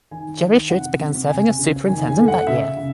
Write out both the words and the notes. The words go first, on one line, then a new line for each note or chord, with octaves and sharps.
Jerry Schutz began serving as superintendent that year.
D#3 G#5
D#3
C3 F#5
C3
C#3 G#5
C#3
D#3 G#5
G#5
A3
F#5
C#3 E5
C#3